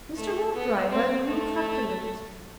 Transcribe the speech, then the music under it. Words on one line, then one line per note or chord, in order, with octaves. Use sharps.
Mr. Hoopdriver grew truculent.
A3
B3
C4
A3